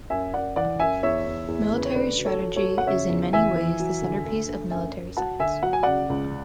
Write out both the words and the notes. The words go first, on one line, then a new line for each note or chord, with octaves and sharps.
Military strategy is in many ways the centerpiece of military science.
F#2 E5 G#5
F#2 D5 F#5
E3 D5 F#5
F#2 E5 G#5
E2 C#5 E5
E2
E2
C#3
B4
C#5
D2 B4 D5
F#3
A4 C#5
F#3
A4 C#5
F#3
F#5
C#3 C#5 E5
E2
E3 E5 G#5
E3
F#3
D3
D2
D2
F#2 E5 G#5
F#2
F#3 F#5 A5
D3 E5 G#5
F#3 F#5
G#5
C#3 D5 F#5
C#2